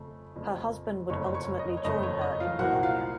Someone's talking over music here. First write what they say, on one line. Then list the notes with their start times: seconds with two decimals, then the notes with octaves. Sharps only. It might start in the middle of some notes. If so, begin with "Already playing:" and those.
Her husband would ultimately join her in Bologna.
Already playing: F2 C#3 A3
0.36 F2 C#3 A3
1.10 F#1 F2 C#3 A3 C#5 C#6
1.34 C#5 C#6
1.59 D#5
1.77 C#5
1.84 F#1 F2 C#3 A3 D#5
2.03 C#5
2.21 D#5
2.40 F4 F5
2.59 C2 A#2 F3 A#3 F#4 F#5
2.83 F4 F5